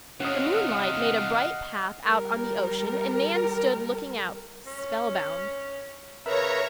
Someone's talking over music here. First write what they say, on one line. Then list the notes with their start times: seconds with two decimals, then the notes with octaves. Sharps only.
The moonlight made a bright path out on the ocean and Nan stood looking out, spellbound.
0.20 E2 C3 C#4 D#5 F5 F#5 D#6
2.06 G3 A#4
4.66 C#4
6.26 C#3 A#4 B4 C#5 E5 A#5